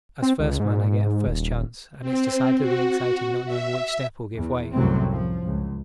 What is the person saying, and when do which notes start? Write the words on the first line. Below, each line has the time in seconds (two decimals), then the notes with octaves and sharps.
As first man I get first chance, and it's decidedly exciting not knowing which step will give way.
0.22 C4
0.40 C#2
0.60 G#2
1.27 D#1
2.01 C4
2.60 F#4
3.45 E5
4.34 E2
4.72 C2 F#2 A2 C3 F#3 C4
5.08 F3
5.45 C#2